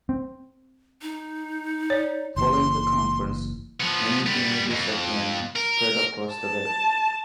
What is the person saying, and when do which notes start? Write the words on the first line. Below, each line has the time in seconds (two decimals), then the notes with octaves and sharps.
Following the conference, many images of him spread across the Web.
0.09 C4
1.02 D#4
1.90 C#5 D5
2.36 F#1 E3 A#3 C6
3.80 F3 B3
4.26 G3 B3
4.70 F2
5.56 A#4
6.34 A5